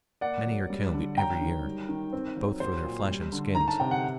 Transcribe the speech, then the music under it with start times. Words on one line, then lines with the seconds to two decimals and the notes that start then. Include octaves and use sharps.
Many are killed every year, both for their flesh and skins.
0.21 A#3 D5 F#5
0.46 F#3
0.70 G3
0.94 D3
1.17 F#3 G5 A#5
1.41 D#3
1.65 G3
1.89 D#3
2.13 C4
2.37 F#3
2.60 F#3 C5
2.84 A#2
3.08 G3
3.32 D3
3.55 D#3 A#5
3.68 A5
3.80 C3 G5
3.91 F#5